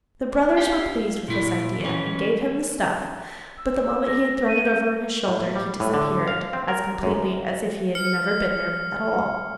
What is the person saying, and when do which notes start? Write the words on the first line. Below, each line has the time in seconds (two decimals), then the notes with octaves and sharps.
The brothers were pleased with this idea, and gave him the stuff; but the moment he had thrown it over his shoulder he disappeared as completely as if he had never been there at all.
0.57 G4 F5 G5
1.28 A#2 E4
1.80 E3 C#4
3.58 E6
4.07 A#6
4.48 D#7
4.65 G6
5.28 A2
5.56 G3
5.80 A2
5.94 D3
6.28 F5
6.53 C4
6.68 A#4
7.03 F#2
7.95 F6 C#7